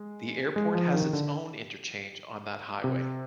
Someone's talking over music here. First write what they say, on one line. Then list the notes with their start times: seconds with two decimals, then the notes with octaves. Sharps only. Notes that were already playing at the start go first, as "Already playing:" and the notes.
The airport has its own interchange on that highway.
Already playing: G#3
0.56 G#3
0.75 F3
0.94 D#3
1.13 D3
2.84 C3